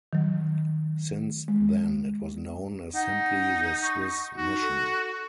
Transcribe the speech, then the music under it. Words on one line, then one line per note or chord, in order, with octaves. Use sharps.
Since then it was known as simply the Swiss mission.
D#3 F#3
G#3
D#4 F#5
C#6
D#4 F#4
A4